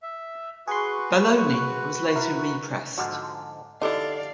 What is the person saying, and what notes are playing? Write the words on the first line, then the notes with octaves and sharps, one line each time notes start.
"Baloney" was later re-pressed.
E5
F#4 G#4 B4 C6 C#6
E4 A#4
G#2 D3 F3 F#4
D3 D#4 E4 G4 A4 D5 D#5 F5